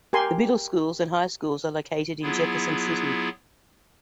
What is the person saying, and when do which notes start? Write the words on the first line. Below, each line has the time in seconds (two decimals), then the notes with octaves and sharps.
The middle schools and high schools are located in Jefferson City.
0.13 G4 A#4 G#5 C6
2.23 F#3 B3 E4 F4 G#4